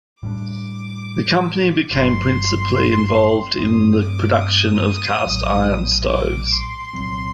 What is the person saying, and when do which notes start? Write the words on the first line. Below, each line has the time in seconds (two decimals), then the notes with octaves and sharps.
The company became principally involved in the production of cast iron stoves.
0.23 A2 G3 D4 D6
1.91 G1 G2 F#3 C6
3.58 G2 F#3 A3 C4 D#6
4.00 D6
4.41 D#6
5.26 A#1 A2 F#3
6.09 D6
6.52 C6
6.93 C2 A#2 F#3 C4